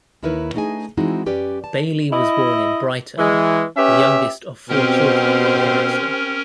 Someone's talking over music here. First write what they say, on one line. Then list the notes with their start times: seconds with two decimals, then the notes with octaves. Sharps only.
Bayly was born in Brighton, the youngest of four children of a barrister.
0.23 D#2 D#4 E4 A#4 B4 C#5
0.54 A3 D4 D#4 G#4 D#5 G#5
0.97 E3 G#3 C4 D#4 E4 F#4
1.26 F#2 C#4 G4 B4 D5
1.64 A5
2.11 E4 D#5
3.18 E3 G#3
3.77 C#4 G4 B4 E5
4.69 B2 C4 C#4 G4 A#4 C5